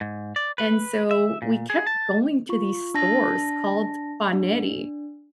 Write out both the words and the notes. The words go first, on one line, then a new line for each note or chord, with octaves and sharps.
and so we kept going to these stores called Paneri,
G#2
D5
B4
E5
A#2
G#4
A5
F4 C#6
D4 A5 A#6
D4